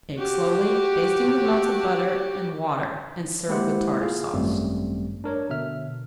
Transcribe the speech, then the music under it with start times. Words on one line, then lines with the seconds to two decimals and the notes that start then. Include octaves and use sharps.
Bake slowly, basting with melted butter and water, and serve with Tartar Sauce.
0.18 F#4 G4
3.48 G#3 A#3 E4 G4 C5 F#5
3.99 F4 G#4 F5
4.34 G#1 F#2 G3 A3 C4
5.24 D4 A#4 C#5
5.50 B2 D3 E5 F6